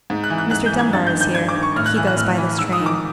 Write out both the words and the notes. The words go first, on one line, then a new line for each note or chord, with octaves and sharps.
Mr. Dunbar is here; he goes by this train.
G#2
F#6
E3
F#6
G#2 F#6
G6
E3
G#6
G2 A6
G6
D#3
G6
G2 G#6
D6
D#3
C#6
A2 F6
F#6
E3 F#6
F#6
A2 F6
E3
G#2 E6
D#6
D#3
D6